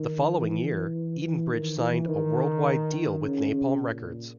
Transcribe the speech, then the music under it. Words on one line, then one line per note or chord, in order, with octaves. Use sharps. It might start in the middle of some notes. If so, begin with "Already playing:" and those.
The following year, Edenbridge signed a worldwide deal with Napalm Records.
Already playing: D#3
E3
E3
D#3
E3
D#3
D#3
C#3
C#3
A#2